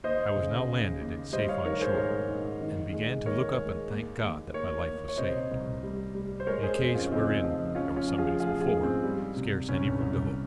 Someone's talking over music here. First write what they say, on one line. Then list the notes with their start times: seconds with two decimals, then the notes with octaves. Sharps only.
I was now landed and safe on shore, and began to look up and thank God that my life was saved, in a case wherein there was some minutes before scarce any room to hope.
0.04 D#2 C5 D#5
0.36 C#3
0.68 C#3
1.00 D#2
1.33 G3 C5 D#5
1.48 C#5 F5
1.65 D#3 A#4 C#5
1.81 G#4 C5
1.96 G#2 A#4 C#5
2.29 G#2
2.61 D#3
2.93 G#3
3.26 D#2 A#4 C#5
3.58 G#3
3.90 D#2
4.21 D#2
4.54 D#2 A#4 C#5
4.86 D#2
5.09 C#5
5.18 C3 C5 D#5
5.51 C2
5.83 G3
6.15 G3
6.40 C5
6.47 G#3 A#4 C#5
6.63 G#4 C5
6.79 F2
6.95 C#4 F4
7.11 C#3 C4 D#4
7.44 F3
7.75 F3 C#4 F4
7.96 C#4 F4
8.07 F3
8.18 F4 G#4
8.39 F3 F4 G#4
8.60 F4 G#4
8.72 G#2
8.83 C4
9.03 G3
9.36 C3
9.69 C2 C#4
10.00 C2